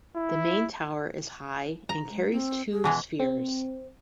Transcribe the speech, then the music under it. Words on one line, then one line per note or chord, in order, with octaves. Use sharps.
The main tower is high and carries two spheres.
E4
A#5
G#3
C4
G#4
B2 E3 G#3
C4